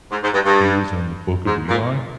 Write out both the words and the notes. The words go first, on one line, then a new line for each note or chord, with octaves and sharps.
he was in The Book of Eli.
G#2
G#2
G2
G2
G#2
A#2